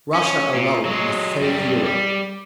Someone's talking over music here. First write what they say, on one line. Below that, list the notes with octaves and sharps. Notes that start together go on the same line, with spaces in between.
Russia alone must save Europe.
C#4
A#2
F#3 G#3
F#2 G3
G3